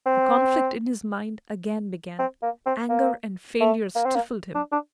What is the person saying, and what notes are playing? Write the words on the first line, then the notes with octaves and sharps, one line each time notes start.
The conflict in his mind again began; anger and failure stifled him.
C4
C4
A#3
C4
A#3
A3
A#3
C4
A#3
D4
D4